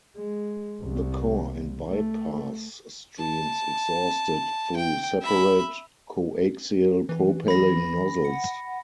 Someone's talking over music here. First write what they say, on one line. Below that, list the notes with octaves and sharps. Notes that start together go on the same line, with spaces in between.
The core and bypass streams exhausted through separate coaxial propelling nozzles.
G#3
C2
A3
A5
G5
E5 B5
E3
B5 A#6
F#5